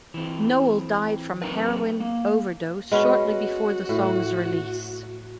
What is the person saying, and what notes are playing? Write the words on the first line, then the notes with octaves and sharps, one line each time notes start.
Nowell died from a heroin overdose shortly before the song's release.
E3 C4
F#3 C4 D#4 A#4 B4
A#3
G#3 B3 C#4 F#4
A2